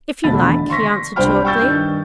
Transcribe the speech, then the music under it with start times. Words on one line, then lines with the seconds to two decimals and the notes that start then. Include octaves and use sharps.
"If you like," he answered shortly.
0.24 G#1 E2 B2 A3 B5 A6
0.40 D3
0.70 C6 C#6 A#6 B6
1.16 C2 D4 C5 G5 B5 F6
1.45 G5 C#6 E6 G6 A6
1.61 G2 D#3